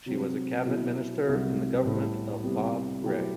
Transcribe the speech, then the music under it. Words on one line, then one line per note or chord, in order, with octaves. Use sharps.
She was a cabinet minister in the government of Bob Rae.
C3 F#3 C4
B2 F#3 B3 E4
C2 C3 F#3
A2 G3 B3
C3 G3 B3 E4
B2 F#3 A3 E4 G4